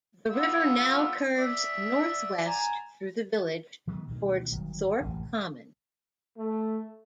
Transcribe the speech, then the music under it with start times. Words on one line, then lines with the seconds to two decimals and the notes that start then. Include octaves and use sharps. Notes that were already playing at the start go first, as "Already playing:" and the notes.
The river now curves northwest through the village towards Thorpe common.
0.31 B3 F4 E6
1.38 D5 E5
2.47 G#5 A#5
3.87 D#3 F#3 G#3 B3
4.08 D2 B2 D#3
4.52 G1 D#3 F#3
5.01 E1 A1 F#2 C3
6.37 A3